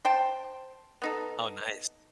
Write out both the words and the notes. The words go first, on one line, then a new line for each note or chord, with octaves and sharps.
Oh, nice.
C5 G5 A5
B3 D#4 A4